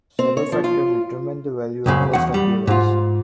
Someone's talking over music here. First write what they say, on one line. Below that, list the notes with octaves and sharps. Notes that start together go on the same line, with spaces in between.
Several factors determine the value of a first appearance.
C4
C#5
F3
F4
C2 F#2 C#3
E2 F#5
G3
G#2 F4